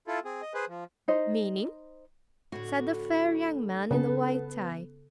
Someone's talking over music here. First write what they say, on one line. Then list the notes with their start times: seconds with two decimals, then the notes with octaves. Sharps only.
"Meanin'?" said the fair young man in the white tie.
0.07 E4 F4 A4
0.25 C4 G#4
0.42 D#5
0.54 G#4 B4 C5
0.68 F3
1.08 D#4 C5 D#5
2.52 A2 D3 F#4
3.91 C#3 B3 A4